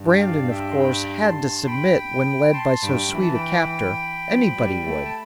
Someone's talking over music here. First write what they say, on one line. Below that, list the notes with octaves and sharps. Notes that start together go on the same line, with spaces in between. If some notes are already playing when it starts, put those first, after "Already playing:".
Brandon, of course, had to submit when led by so sweet a captor--anybody would.
Already playing: G2
G5
D5 F5
E5 G5
C6
G5 B5
A5 C6
A5
G5 B5
A5 C6
G2 G5 B5
E3 B5
A5
G5 B5
F3
G3
A3
A5